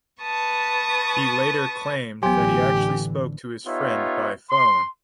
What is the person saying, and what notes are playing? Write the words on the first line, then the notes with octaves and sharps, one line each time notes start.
He later claimed that he actually spoke to his friend by phone.
B4 A5 C#6 D#6
A1 D3 E3 F#3 B3 G4 G#5
B3 D#4 F4 G4 C#5 E5
C6